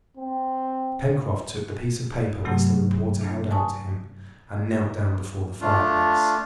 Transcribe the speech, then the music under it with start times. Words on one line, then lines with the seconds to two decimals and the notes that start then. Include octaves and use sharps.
Pencroft took the piece of paper which the reporter held out to him, and knelt down before the fireplace.
0.17 C4
2.45 G2 C3 F#3 A3 G4 F#5
3.21 D4
3.51 G#5 A5 C#6 D#6
5.61 A3 D4 F4